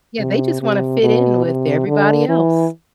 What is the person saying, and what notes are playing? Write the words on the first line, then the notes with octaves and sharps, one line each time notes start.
Yeah, they just want to fit in with everybody else.
C3
C3
B2
C3
D3
E3